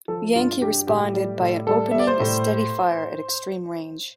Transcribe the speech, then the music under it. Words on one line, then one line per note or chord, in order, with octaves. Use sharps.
Yankee responded by opening a steady fire at extreme range.
F3 A4
G2 F4
G2 G4
A2 G4
G3
A2
G3 A4
G3 E5
D5
C5
A2